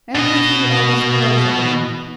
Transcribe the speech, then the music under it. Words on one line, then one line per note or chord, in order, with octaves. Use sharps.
"And the three eldest girls are coming."
B2 D#5